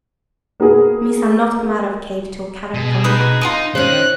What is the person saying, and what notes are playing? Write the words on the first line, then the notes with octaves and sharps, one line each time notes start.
Missa not come out of cave till Kadok come back.
A#3 B3 F#4 G#4 A#4
B2 G#4
D#4 B4 D#6
D#4 F4 A#4 D#6
D#3 C#4 D#4 C5 F#6